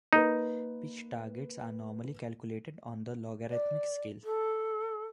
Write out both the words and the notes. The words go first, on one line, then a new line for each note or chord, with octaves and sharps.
Pitch targets are normally calculated on a logarithmic scale.
A#3 D#4 B4
D5
A4